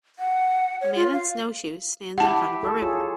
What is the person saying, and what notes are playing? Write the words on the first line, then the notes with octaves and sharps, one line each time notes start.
A man in snowshoes stands in front of a river.
F#5
C#5
F4
F5
E4 G4 F#5 A5
A4
F4 G#4 C#5